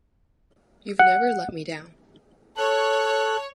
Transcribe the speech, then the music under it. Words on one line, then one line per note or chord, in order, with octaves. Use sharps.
You’ve never let me down.
F#5
A4 C#5 F#6